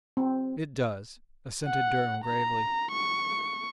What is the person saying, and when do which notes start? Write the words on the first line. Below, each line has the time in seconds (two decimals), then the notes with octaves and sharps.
"It does," assented Durham gravely.
0.17 C4
1.65 F#5
2.25 A#5
2.92 C#6